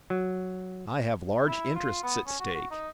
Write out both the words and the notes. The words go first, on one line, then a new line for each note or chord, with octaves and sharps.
I have large interests at stake.
F#3
E4
F4
B3
C#4
F#4
F#4
D#4